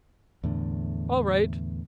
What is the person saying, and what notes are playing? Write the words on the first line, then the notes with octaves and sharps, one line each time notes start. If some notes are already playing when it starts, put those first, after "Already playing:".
All right.
E2 A2 D3